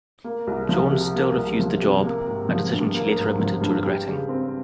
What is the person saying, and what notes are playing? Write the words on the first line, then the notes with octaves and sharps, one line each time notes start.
Jones still refused the job, a decision she later admitted to regretting.
A#3
C2
F3
C3
A#3
C2
F3
C3
A#3
G#1
F3
G2
A#3
G#1
F3
G2
G4
C#3
C4